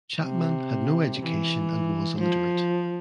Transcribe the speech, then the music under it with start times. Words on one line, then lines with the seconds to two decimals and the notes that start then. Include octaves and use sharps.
Chapman had no education and was illiterate.
0.21 C3
1.20 E3
2.19 F3